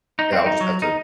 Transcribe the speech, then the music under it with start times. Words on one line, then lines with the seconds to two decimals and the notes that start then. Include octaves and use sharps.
Yeah, I'll just have to
0.19 D#4
0.33 C4
0.46 D#4
0.61 F#3
0.82 D#4